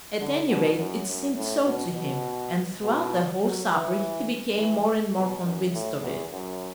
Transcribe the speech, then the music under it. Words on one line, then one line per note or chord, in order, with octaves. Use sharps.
At any rate it seemed so to him, and throughout the whole supper he became more and more convinced of it.
D3
B2
F#2
F#2
A2
B2
B2
B2
F#3
E3
E3
B2
F#2
A2
E2
F#2